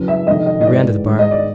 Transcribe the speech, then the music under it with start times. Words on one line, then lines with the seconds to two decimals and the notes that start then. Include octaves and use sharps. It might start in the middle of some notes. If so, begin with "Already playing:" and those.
We ran to the barn.
Already playing: F#2 C#3 E3
0.08 E5
0.27 F2 C3 D#3 D#5
0.46 D#5
0.61 D#5
0.65 G#2 E3 D5
1.04 G#2 D#3
1.19 D#5
1.31 D5